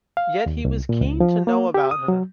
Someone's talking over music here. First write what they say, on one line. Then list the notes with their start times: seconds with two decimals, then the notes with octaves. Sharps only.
Yet he was keen to know about her.
0.17 F5
0.46 D#2
0.65 C2
0.89 A#2
1.01 C#2
1.20 F3
1.47 A#3
1.74 G4
1.91 D#6
2.08 F#3